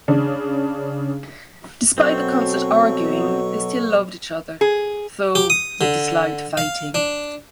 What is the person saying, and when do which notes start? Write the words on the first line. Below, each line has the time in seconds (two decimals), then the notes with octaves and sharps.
Despite the constant arguing, they still loved each other, though they disliked fighting.
0.08 C#3 D4
1.98 B2 F#3 C4 A4 C#6
4.61 G#4
5.35 G4
5.50 D#6
5.81 D3
6.57 F5
6.95 D4